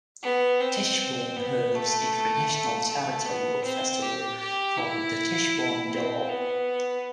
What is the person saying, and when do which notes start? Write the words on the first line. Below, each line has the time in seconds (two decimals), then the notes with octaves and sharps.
Tichborne holds a traditional charitable festival called the Tichborne Dole.
0.23 B3
0.61 C4
1.37 B3
1.75 A3
2.51 A3
2.88 A3
3.26 B3
3.64 C4
4.02 G4
4.40 G4
4.78 E4
5.92 C4
6.29 B3